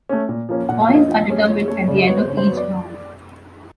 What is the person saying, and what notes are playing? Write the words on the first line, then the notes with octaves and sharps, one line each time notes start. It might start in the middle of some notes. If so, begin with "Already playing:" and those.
Points are determined at the end of each round.
A3 C#4
A#2
F3 A#3 C#4
A#2 F#5
F5
F3 A#3 C#4
D#5
F3
A3 C#4
F3 C#5
A3 C#4 C#5
C#3 D5
D#5
F#3 B3 C#5
C5
C#3 C#5
C5
F#3 B3 C#5
D5